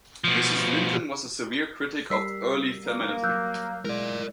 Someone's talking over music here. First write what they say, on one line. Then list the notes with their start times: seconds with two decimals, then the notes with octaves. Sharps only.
Mrs Linton was a severe critic of early feminism.
0.24 B2 F3
2.10 G3 A#4 E6 B6 C7
2.86 A#3
3.24 F#3 E6 F#6 G6
3.85 G#3 E4 A#4 D5